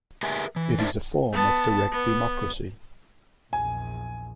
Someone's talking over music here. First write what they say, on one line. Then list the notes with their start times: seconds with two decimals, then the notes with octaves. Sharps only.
It is a form of direct democracy.
0.23 G4 G#4 A#4 B4 E5 G#5
0.56 E3
0.78 D4 D#4 A#4 C5 E5
1.33 B3 A5
1.92 B3
3.53 A#1 E2 G#5